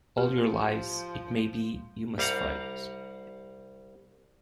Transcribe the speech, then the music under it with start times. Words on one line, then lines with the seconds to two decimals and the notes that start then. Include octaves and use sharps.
All your lives, it may be, you must fight.
0.18 F3 G4
2.18 C2 G3 F5 F#5 A#5